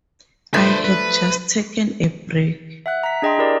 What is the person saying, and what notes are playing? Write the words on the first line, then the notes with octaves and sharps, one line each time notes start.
I had just taken a break.
F3 A3 D4 B4 C5
B4
E5 F#5 F#6
A#5 B6
D4 G#4 D#5 G5 A#5 C6
E4 G4 A#4 D5